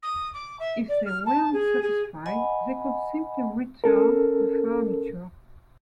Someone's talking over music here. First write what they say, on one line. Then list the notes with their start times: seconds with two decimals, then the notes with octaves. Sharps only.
If they weren't satisfied, they could simply return the furniture.
0.02 D#6
0.33 D6
0.59 E5
0.88 D5
1.05 F6
1.25 A5
1.52 G#4
1.82 G#4
2.26 D#5 F#5 G#5 B5
3.84 C#4 A4 A#4